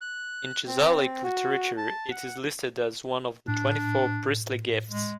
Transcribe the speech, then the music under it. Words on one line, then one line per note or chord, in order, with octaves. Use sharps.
In Chazalic literature it is listed as one of the twenty-four priestly gifts.
F#6
C4
F#4
A5
F#5
A2 D4
G#3